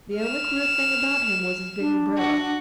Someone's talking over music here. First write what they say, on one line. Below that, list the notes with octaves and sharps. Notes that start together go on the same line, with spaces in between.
The only queer thing about him was his big umbrella.
F6 E7
D4
F#4